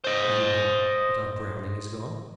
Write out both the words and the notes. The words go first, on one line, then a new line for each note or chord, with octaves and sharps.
Do you know that our Browning is gone?
C5 D#5